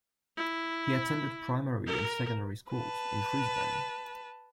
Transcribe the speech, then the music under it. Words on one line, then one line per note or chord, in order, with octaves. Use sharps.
He attended primary and secondary schools in Shrewsbury.
E4
A#4
B4 A5